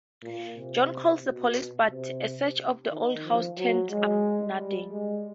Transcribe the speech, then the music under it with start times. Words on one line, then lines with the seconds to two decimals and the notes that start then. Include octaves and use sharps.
John calls the police, but a search of the old house turns up nothing.
0.23 A#2
0.56 C3
1.23 B2
1.90 C3
2.91 D#3
3.24 F3
3.57 F#3
3.90 G#3
4.58 G3
4.91 G#3